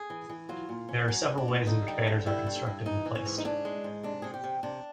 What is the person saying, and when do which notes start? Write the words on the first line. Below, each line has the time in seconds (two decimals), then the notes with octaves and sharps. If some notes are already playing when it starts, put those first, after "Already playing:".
There are several ways in which banners are constructed and placed.
Already playing: G#4
0.10 E3
0.29 E3
0.49 F#3 F4
0.69 A#2
0.89 C#4
1.08 F#3 C#4
1.28 F#3
1.38 D4
1.48 A#2
1.67 D3 D#4
1.88 G3
2.07 D3
2.26 G3 E4
2.47 G2
2.56 E4
2.66 G2
2.85 E3 D#4
3.06 E3
3.15 C#4
3.26 G#2
3.38 D#4
3.45 C#4 D4
3.65 G#3
3.84 G#2
4.03 C3 D4
4.22 C3 G#4
4.34 G4
4.44 C3
4.63 C3 D4